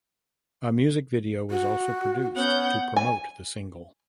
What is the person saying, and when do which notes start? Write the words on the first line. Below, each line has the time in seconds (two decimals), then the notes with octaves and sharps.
A music video was also produced to promote the single.
1.51 F#4
2.36 B3 C#4 F#5 G6
2.96 G#5